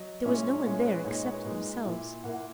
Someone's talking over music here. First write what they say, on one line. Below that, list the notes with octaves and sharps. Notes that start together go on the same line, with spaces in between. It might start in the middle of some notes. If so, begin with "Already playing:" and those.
There was no one there except themselves.
Already playing: F#3 D#5
A#2 G#3 C#4 E4
A#2 G#3 C#4 E4 C#5
B4
A#2 G#3 D#4 C#5
D#5
C#5
B4
A#2 G#3 D#4
A#2 A#3 E4
A#2 A#3 E4 F#5
F#5